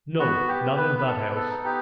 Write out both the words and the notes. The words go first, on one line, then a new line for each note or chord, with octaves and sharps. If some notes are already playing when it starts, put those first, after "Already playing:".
'No! not in that house!
B3 F#4
G4
B3
B4
B4
B3 A4
A4
D#4
G4